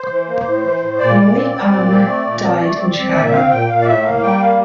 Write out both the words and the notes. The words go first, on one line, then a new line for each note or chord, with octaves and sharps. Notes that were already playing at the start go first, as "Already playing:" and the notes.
Roy Palmer died in Chicago.
Already playing: C5
E3
A#3
A2
E3
A2
A#2 D5
A#2
C4
C4
A#2
C4
A3
A#2
C4
A3
C4
C4
A#2 E5
E5
C4 F5
A#2 G5
A#2 F5
D5
A2 E5
A#3 F5
G3 G5
A#3 F5